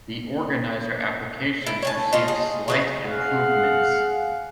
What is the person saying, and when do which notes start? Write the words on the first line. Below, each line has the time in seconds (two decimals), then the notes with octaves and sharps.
The organizer applications received slight improvements.
1.66 E4
1.82 C#5 G#5 A5
2.13 D#4 F4
2.28 G#4
2.68 C#3 F#3 E4
3.05 G#4 F5 F#5